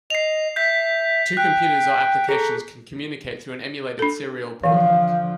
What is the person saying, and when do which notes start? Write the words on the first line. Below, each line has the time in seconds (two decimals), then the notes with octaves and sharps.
Two computers or applications can communicate through an emulated serial port link.
0.10 D#5 C7 F7
0.56 E5 G6 B6
1.37 G5 F#6
2.29 G#4 A4 A#5
3.99 D4 A4
4.64 D3 E3 F3 F5